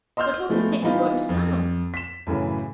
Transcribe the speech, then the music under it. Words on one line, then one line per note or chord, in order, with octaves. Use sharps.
But what is taking you up to town?
D#5 C6 E6 F6 G6
F3 G#3 A3 B3 C4 D4
E3 G3 B3 D#4 F4 G4
F2
B6 E7
F#2 A2 C#3 E3